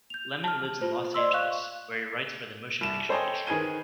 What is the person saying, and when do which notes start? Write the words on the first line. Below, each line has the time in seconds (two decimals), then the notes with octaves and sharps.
Lemon lives in Los Angeles where he writes for the motion picture industry.
0.10 G6 F7
0.44 A5 F6
0.65 A5
0.81 F4 C5
1.14 D5 D#5 C6 E6
1.34 F5 C#6 F#6
2.81 C2 E7
3.09 A4 C5 C#5 D#5 G5 G#5
3.46 D#3 G#4 B4 G#6 D#7 G7